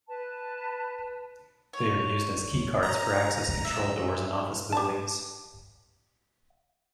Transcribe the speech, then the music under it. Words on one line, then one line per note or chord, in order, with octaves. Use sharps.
They are used as keycards for access control doors in office buildings.
B4 A5
C#5
A#5
E5
G4 A5